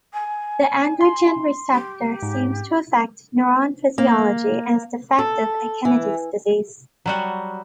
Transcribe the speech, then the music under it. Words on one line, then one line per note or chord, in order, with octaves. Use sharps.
The androgen receptor seems to affect neuron physiology and is defective in Kennedy's disease.
G#5
C6
G4
G#2
A#3
A4
E3
F#3 G3 F#4